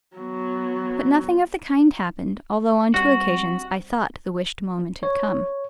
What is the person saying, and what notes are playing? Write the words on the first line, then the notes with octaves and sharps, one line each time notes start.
But nothing of the kind happened, although on two occasions I thought the wished moment had come.
F#3 B3
G3 C4 F#4
C#5